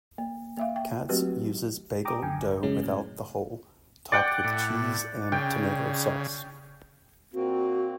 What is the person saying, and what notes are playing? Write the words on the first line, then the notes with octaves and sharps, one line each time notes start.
Katz uses bagel dough without the hole, topped with cheese and tomato sauce.
A#3
A#3 E5 F5
G5
F#3 A3 C4 F#4 G4 B4
G5 A#5 D6 D#6
F#2 D3 G5 G#5
A1
F#2 C#3 F#3 G#3 C#4
A2
D5 F#5 G5
A2
C#3 G5
A#2 A#3 C4 F#4